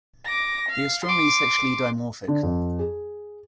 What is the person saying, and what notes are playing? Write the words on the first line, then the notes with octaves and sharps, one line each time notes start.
They are strongly sexually dimorphic.
D6 A#6
F5
C6 D6
D3
F2
G#4